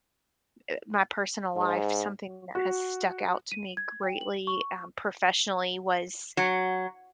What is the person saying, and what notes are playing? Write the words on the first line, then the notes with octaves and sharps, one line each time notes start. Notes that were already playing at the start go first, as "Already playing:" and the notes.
uh, my personal life, something that has stuck out to me greatly, um, professionally was,
G#2
F#4
D#7
G#6
G5
F#7
C#6
F#3